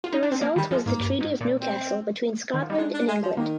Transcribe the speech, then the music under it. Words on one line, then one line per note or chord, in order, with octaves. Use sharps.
The result was the Treaty of Newcastle between Scotland and England.
F4
D#4
D4
C4
F3 A#3
D#3 G3
F3 G#3
G#2 A#3
G2
G#2
A#2
C4
D#3
F3
G3 D#4
G#3 D4
D4
G#3
F3
D#3 A#3